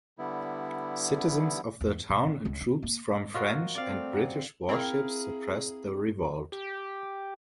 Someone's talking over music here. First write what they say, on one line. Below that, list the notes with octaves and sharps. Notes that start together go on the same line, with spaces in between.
Citizens of the town and troops from French and British warships suppressed the revolt.
D3 G3 B3 E4
E2
B2
A#2
C#2
D4
A#3
F4 F#4 A#4 C5 D#5
C4 D5 F5
A3
F#2 F#5 C#7
C4 E4 G#4 A#4 F5
G4